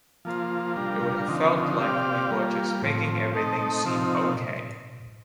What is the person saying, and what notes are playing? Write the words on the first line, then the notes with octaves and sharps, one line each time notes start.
It would have felt like we were just making everything seem okay.
F3 A#3 F4 C5
G3 D4 F4 A#4
D3 F3 C4 D#4
C4 G4 D5 F5
G3 A#3 F4
A2 F3 C4
A3 C4 D#4 A4 D#5
C3 F3 C4 D#4